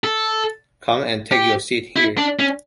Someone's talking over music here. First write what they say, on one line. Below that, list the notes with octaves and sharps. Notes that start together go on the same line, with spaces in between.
Come and take your seat here.
A4
G4
E4
D4
C#4